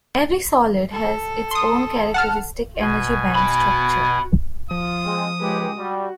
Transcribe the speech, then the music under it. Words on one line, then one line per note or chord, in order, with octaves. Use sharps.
Every solid has its own characteristic energy-band structure.
A4
C6 D#6
F#5 A5 F6
B2 G#5
F#4 B5
F3 F4 D#6
G#3 C4
C#2 G#3 G4 B4
G3 F#4